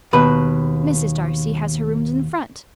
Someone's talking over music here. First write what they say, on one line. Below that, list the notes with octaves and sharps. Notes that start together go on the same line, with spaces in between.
Mrs. Darcy has her rooms in front.
D#2 B2 B4